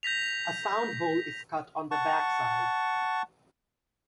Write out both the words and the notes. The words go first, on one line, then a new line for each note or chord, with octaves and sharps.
A sound hole is cut on the back side.
G6 A#6 B6 F7
F#5 A5 C#6